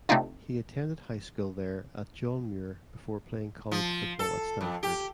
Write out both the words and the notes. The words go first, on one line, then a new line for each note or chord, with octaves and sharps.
He attended high school there at John Muir before playing college football at Stanford.
C3 A3 C4 D4 D#4 F4
F3
A4
F2
G4